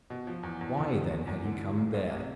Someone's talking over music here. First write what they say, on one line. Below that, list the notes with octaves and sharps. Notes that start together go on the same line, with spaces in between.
Why, then, had he come there?
B2
F3
E2
E2
D3
F3
E2
E2
D3
E3
C2
C2
C3